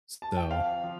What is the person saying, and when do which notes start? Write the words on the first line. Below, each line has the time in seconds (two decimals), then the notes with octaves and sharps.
s so,
0.22 A5
0.37 G5
0.50 F2 F5
0.83 F3